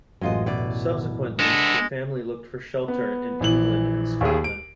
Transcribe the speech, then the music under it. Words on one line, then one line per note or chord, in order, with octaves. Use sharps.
Subsequently, the family looked for shelter in England and Scotland.
A1 F#2 G#3 F4 D#5
B2 E4 D5
G#3 B3 D4 A4
B3
A#1 E3 F#7
D#2 G#4
D7